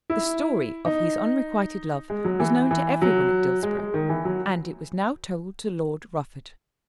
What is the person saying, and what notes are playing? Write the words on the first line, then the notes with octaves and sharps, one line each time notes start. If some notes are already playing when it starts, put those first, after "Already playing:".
The story of his unrequited love was known to every one at Dillsborough and it was now told to Lord Rufford.
E4
D#4
G#3
F#3
E3
E3
F#3
G#3
G#3
D#3
E3
F#3